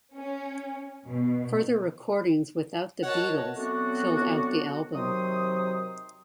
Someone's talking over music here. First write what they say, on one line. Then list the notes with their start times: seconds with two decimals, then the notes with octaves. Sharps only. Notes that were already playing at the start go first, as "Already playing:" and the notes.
Further recordings without the Beatles filled out the album.
0.14 C#4
1.07 B2
3.03 F#4 A#4 C#5 D#5 F#5 A5
3.56 F#3 A3 B3 C4 D4 F#4
4.95 C3 D#3 F#3 F#4 C5 D#6